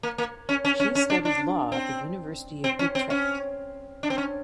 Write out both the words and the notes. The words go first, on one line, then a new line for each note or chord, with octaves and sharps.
She studied law at the University of Utrecht.
A#3
A#3
C#4
C#4
C#4
C#4
D4
D4
C4
C4
C#4
C4
C#4
D4
C4
C#4